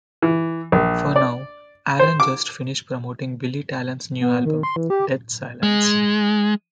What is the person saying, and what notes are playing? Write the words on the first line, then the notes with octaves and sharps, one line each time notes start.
For now, Aaron just finished promoting Billy Talent's new album, Dead Silence.
E3
A#1
D5
C5
D6
B3
D#3
C6
E3
G4
G#3